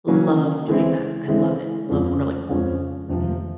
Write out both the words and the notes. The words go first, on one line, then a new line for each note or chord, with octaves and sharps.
Love doing that. I love it. Love acrylic pours. Mhm.
C#3 F#3 A#3 C#4
E3 G#3 C4 E4
E3 G#3 C4 E4
F2 C#3 F3 G#3 C#4
F2 C#3 F3 G#3 C#4
F2 C3 F3